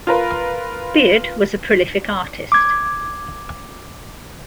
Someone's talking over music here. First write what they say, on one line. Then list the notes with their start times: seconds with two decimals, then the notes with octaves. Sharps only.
Beard was a prolific artist.
0.07 F4 A#4 B4
2.52 D6 G#6